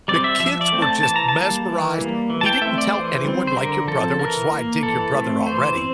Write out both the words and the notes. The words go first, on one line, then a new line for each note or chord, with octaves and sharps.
The kids were just mesmerized. He didn't tell anyone like your brother, which is why I dig your brother already,
G3 C4 D5
E5
F3 E5
D5
A3 C4
A5
E3 A5
A#5
A5
G3 A#3
E3
G3 A#3
E3
A5
G5
A3 C4 E5
D5
E3 C5
G3 C4
C5
D3 A#4
F3 C4 A4
E3 A#4
A#3
E3 A4
A3 C4
E3 C5
C4